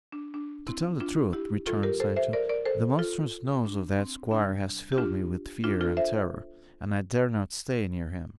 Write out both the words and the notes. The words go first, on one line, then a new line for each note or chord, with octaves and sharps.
"To tell the truth," returned Sancho, "the monstrous nose of that squire has filled me with fear and terror, and I dare not stay near him."
D4
D4
C4 E4
D4 F4
E4 G4
A2 E3 G3 F4 A4
G4 A#4
A4 C5
C5 E5
A#4 D5
A#4 D5
A4 C5
F4 A4
D4
C4
E2 C3 G3 D4
G4
D4 F4
D4 F4
F4 A4
C5 E5